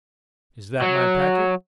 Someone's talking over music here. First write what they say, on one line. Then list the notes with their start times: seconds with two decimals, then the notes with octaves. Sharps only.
"Is that my packet?"
0.82 F#3